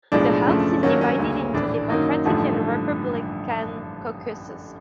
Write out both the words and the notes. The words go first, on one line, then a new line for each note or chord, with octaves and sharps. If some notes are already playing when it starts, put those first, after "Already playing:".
The House is divided into Democratic and Republican caucuses.
B1 A2 F3 G#3 D4
F#2 C#3 F3 A3
G2 D#3 F#3 A#3 C#4
C#4
D2 C#3 F#3 A#3
A#1 A2 E3 D4
F#2 D#3 F#3 A#3 D#4
A1 G2 D3 F3 A3